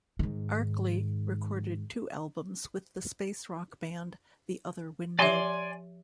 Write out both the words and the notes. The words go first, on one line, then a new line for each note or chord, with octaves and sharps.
Arkley recorded two albums with the space rock band The Other Window.
G#2 D#3
F3 G4 D5 E5 G#5 C6